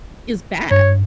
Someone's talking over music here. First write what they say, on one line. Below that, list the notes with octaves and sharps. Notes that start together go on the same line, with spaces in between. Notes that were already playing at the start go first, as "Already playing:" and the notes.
is bad.
G2 C#5